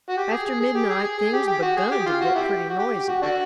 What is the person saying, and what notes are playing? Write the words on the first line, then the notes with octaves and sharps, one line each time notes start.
After midnight things begun to get pretty noisy.
F#4
G4
G#4
G#4
G#4
G4
G#4
G#4
G#4
G4
G4
F#4
G#4
G4
F4
F#4
E4 G4
F#4
G4
G4
F#4
D4 F#4